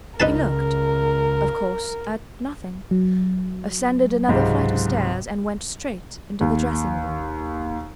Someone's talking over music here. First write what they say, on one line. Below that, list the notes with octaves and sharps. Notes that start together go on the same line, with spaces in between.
He looked, of course, at nothing, ascended another flight of stairs and went straight into the dressing room.
C#2 D#4 A#4 B4 A5
F#3
C#2 G#2 C3
D#2